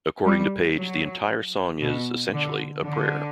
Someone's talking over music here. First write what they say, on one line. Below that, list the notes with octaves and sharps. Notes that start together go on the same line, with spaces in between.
According to Page the entire song is, essentially, a prayer.
G3
F#3
B2
D3
D3